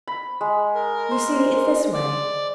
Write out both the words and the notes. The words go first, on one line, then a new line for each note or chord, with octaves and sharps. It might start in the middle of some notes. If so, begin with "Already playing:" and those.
You see it's this way.
B5
G#3
A#4
C5
D5